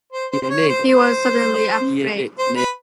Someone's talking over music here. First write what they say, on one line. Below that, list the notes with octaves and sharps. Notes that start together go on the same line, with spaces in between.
He was suddenly afraid.
C5
C5
C5
C#5
C5
C5
C5
B4